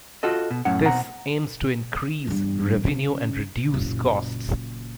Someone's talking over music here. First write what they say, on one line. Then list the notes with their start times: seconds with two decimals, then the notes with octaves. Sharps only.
This aims to increase revenue and reduce costs.
0.23 F4 F#4 A4 D#5
0.51 B2
0.65 F#2 A2 C#4 F#5
0.85 B2 C4 F#5 A#5
2.27 E2 G2
2.86 C#3
3.74 F#1 A#2